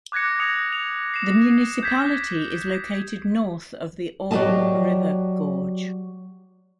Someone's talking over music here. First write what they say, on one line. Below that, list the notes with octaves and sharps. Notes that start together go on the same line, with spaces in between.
The municipality is located north of the Orbe river gorge.
D6 F#6 G#6 A#6 C#7
D#6 A#6 C#7 F7
F7
C7 E7
G6 G#6 B6 C7
F#3 G4 G#4 D5 D#5 A5